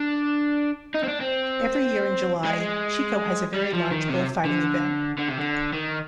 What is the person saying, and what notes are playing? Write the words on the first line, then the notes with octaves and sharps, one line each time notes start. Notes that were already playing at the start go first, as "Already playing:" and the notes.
Every year in July, Xico has a very large Bullfighting event.
Already playing: D4
D#4
C4
D4
C4
G#3
G3
F3
D#3
C3
D3
D3
C3
D3
D#3